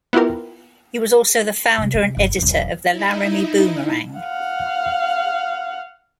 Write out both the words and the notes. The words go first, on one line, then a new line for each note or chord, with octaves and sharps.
He was also the founder and editor of the "Laramie Boomerang".
B3 E4 F4 G4 A#4
C3 A3
C3
G1
E1 B1
D#4 E4
F5 F#5